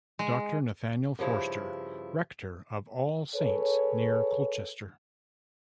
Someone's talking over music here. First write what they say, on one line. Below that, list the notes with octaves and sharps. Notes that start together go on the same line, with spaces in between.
Doctor Nathaniel Forster, rector of All Saints near Colchester.
G#3
G2 C#3 F3 E4
G#4 A4 B4 C#5